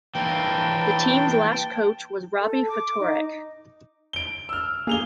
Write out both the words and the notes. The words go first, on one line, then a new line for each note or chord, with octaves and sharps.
The team's last coach was Robbie Ftorek.
E3 A#3 G5 A5
A4
D6
D#4
D7 G7
E6 F6
A#3 G#4 F7 G7